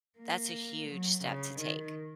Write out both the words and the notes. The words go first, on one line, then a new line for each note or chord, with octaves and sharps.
that's a huge step to take.
A#3
F#3
C#3
D#3